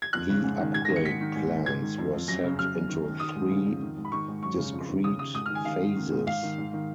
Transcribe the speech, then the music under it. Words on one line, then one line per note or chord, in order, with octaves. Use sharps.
The upgrade plans were set into three discrete phases.
G#6
F2 F#6
C#3
G#2
D#3
G#2 G#6
A#6
D#3
C#7
G#2 B6
D#3
G#2
G#2
G#2 G#6
D#3
F2
F2
F#2 A#6
C#3
F#2 F6
F#2
D#3
D#3
D#3 D#6
G#2
C#3
F2
D#3
G#2
B5
D#3 C#6
G#2
F#2 C#6
C#3
F2
D#3
C#3 D#6
C#3 D#6
G#2 D#6
F6
D#3
G#5
D#3 F5
G#2
D#3
G#2
G#2 F5
D#3
G#2
D#3